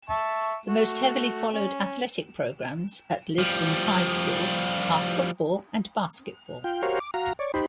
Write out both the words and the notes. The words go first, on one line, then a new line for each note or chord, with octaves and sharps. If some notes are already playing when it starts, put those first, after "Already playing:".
The most heavily followed athletic programs at Lisbon's high school are football and basketball.
E5 A5 C#6
A3 F#4
C#4
F3 G3
F4 G5
F#4 G4 A#4 C5 C#5 F5
D6
F#4 F5 A#5
C#5 D5
D#4 G4 C5 B5